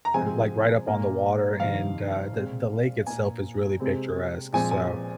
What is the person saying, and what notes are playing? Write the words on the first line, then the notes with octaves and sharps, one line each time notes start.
are, like, right up on the water, and, uh, the the lake itself is really picturesque, so
A#5
C3 F3 G#3 C4 G#5
A#2 A#3
F2 C3 D#3 F5
A#2 G#3 C4
A#2 A#3 G#5
C3 G#3 C4
A#2 F3 G#3 C4 G#5
G#5